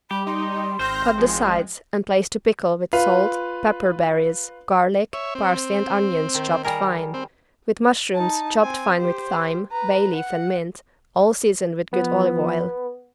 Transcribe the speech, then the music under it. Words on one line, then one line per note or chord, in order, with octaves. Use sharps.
Cut the sides and place to pickle with salt, pepper berries, garlic, parsley and onions chopped fine; with mushrooms chopped fine with thyme, bay-leaf and mint, all seasoned with good olive oil.
G3 G4 B5
D#4 C6
G#1 C4 C5 F6 G6 A#6
F3 G#3
F4 B4 F5
C#5 E5
C4
D#3
G3 G#4 A#4
C4
D#4 A5
C4 G#5
G4 C5
B4 A#5
F#5
F3 B3